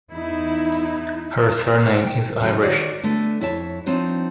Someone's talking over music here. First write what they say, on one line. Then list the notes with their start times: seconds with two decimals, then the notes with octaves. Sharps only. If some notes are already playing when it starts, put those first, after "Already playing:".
Her surname is Irish.
0.12 E2 D#4 E4
2.06 G5
2.39 E2 C#3 F#3 B4
2.62 D#3 F#4 B4 C#5 D5 F#5
3.03 D3 A3 B3
3.41 F2 E4 C#5 E5 A5
3.86 F3 C4 D4 D#4 C#5